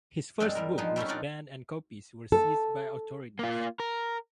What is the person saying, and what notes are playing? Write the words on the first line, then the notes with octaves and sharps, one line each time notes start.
His first book was banned and copies were seized by authorities.
G2 G#3 C4 D4
E2 G3 A#4
F3 G#3 B3 D#4
G3 A3 C4 C#4
D4 D#4 F4 A#4 D5 F#5
A4
A#3 F4
A#4